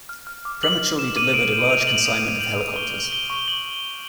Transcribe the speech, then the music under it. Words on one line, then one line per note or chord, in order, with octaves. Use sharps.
Prematurely delivered a large consignment of helicopters.
F6
F6
D6
D6 F#7
F6
F6 E7
D6 D#7
D#6 D7
G6 E7
G6 F7
D#6 F#7
D#6 F7
G6
G6 F#7
D#6
C#6 G7
F6
F6 G7
C#6
C#6 F#7